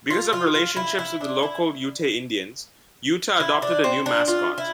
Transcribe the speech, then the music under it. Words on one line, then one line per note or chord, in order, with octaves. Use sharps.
Because of relationships with the local Ute Indians, Utah adopted a new mascot.
F4
F4
F4
E4
E4
D4
E4
E4
D4
C4
D4
F4
E4